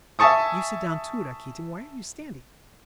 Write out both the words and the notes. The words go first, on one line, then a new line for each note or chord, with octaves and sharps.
You sit down, too, Rakitin; why are you standing?
E5 G#5 A5 C#6 D#6